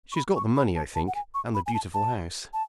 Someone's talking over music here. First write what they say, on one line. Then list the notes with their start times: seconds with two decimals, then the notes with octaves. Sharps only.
"She has got the money, I think--and the beautiful house."
0.12 C#6
0.16 B5
0.36 C#6
0.56 B5
0.75 A5
0.95 A5
1.07 F#5
1.15 G#5
1.34 C#6
1.55 B5
1.66 G#5
1.74 A5
1.94 A5
2.53 A5